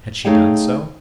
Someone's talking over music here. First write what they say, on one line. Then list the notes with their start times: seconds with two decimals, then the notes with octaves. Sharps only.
Had she done so?
0.25 A3 D#4 G#4 C#5 F5 G5